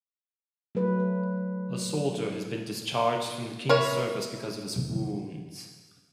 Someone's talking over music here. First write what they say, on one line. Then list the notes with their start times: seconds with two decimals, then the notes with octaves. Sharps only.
A soldier has been discharged from the king's service because of his wounds.
0.75 F#3 A3 B4
3.69 A#4 C#5 E5 B5